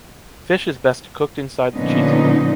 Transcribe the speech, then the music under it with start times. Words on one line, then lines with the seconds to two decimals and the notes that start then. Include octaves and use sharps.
Fish is best cooked inside the cheese roll.
1.75 A#2 D3 F3 B3 C#4 D#4